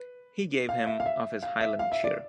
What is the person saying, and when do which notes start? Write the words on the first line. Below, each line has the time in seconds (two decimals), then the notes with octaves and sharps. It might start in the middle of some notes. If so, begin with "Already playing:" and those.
He gave him of his highland cheer.
Already playing: B4
0.69 F5
0.87 E5
1.00 F5
1.06 E5
1.42 F5
1.60 E5
1.79 F5
1.92 E5
2.04 D5